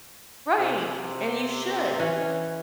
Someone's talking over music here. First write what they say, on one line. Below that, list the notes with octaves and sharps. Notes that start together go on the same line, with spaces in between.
Right, and you should.
C3
E3 C#4